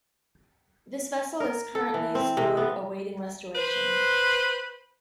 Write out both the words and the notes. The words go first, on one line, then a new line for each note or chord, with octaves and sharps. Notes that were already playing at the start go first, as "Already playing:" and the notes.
This vessel is currently stored awaiting restoration.
A#4
A4
E3
C4
C3
B3
B4 C5